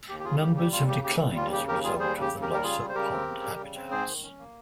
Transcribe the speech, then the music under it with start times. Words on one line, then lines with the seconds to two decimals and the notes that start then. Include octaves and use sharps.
Numbers have declined as a result of the loss of pond habitats.
0.09 D#2 G4
0.20 G4
0.24 C#3 F4 G#4
0.41 D#2 G4
0.57 G3 G4
0.72 D#2 F4
0.89 C#3 G4
1.04 D#2 G4
1.20 G3
1.36 D#2 F4
1.52 C#3 G4
1.68 D#2 G4 A#4
1.84 G3 F4 G#4
2.00 D#2 G#4 C5
2.16 C#3
2.21 G4
2.32 D#2
2.42 G4 A#4
2.47 G3
2.54 A#4
2.64 C#3 F4 G#4
2.80 G3
2.89 C5
2.95 C#3 G4 A#4
3.11 C4
3.27 C#3
3.43 G3
3.60 C#3
3.75 C4
3.91 G#2 G#4 C5
4.07 D#3
4.23 C#4
4.39 A#3